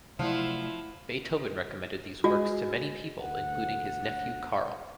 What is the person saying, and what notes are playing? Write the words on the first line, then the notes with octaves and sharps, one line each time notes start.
Beethoven recommended these works to many people including his nephew Karl.
C3 F3 F#3 A3 E4 F5 F#5 C6
G#3 F#4
D2 F#5